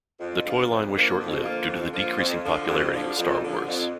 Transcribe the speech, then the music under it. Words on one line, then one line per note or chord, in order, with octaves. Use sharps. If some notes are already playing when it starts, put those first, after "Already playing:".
The toy line was short lived due to decreasing popularity with Star Wars.
F2
D3 F3 A#3 F4
F2
D3 F3 A#3 F4
F2
D3 F3 A#3 F4
F2
D3 F3 A#3 F4
F2
D3 F3
F2
D3 F3
F2
D3 F3
F2